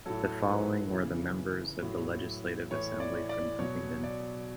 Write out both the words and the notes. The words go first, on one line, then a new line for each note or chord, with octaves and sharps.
The following were the members of the Legislative Assembly from Huntingdon.
A2 F#3 A4
B4
C#3 E3
A2 F#3
A2 E3 C#5
D5
D5
B2 F#3 C#5
D5